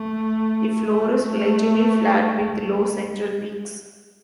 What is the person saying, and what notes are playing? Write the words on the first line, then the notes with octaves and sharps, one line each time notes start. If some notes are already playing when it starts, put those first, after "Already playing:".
The floor is relatively flat with low central peaks.
Already playing: A3
A3
A3
G3